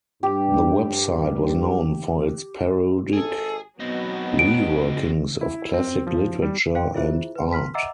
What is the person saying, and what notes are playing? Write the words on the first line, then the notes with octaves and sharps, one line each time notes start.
The website was known for its parodic reworkings of classic literature and art.
G2 G4
G#1 G#4 A4
B2 F#3 B3 C4 D#4
D7
E4
C4
F3
G3
C5 F5 G5
E4 F4 G#4 C5 E5
B4
C6 F6 B6
D#5 E5 F#5 A#5 D6 E6